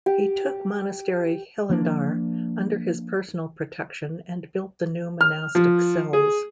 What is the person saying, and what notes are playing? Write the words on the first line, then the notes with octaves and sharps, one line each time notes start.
He took monastery Hilandar under his personal protection and built the new monastic cells.
G4
F3 A#3 D4
F6
F3
G#4